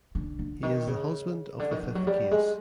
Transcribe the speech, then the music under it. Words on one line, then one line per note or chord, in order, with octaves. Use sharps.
He is the husband of the fifth case.
D3
D3
D#3
C#3
D3
D#3
F3
F#3
G3
G#3